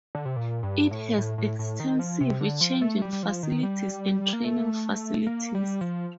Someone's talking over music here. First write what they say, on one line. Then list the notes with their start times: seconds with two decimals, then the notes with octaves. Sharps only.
It has extensive changing facilities and training facilities.
0.15 D3
0.25 C3
0.36 A#2
0.63 G2
0.91 A2
1.18 A2
1.38 A2
1.59 A2
1.80 D#3
1.99 F3
2.20 C3
2.41 D3
2.61 F3
2.82 A3
3.02 G3
3.13 G3
3.23 F3
3.43 D#3
3.63 G3
4.33 A#3
4.44 A3
5.27 A#3
5.55 G3
5.81 F3